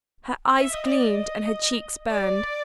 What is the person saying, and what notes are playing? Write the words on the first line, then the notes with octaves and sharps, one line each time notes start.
Her eyes gleamed and her cheeks burned.
E5
D#5
D5
D#5
D5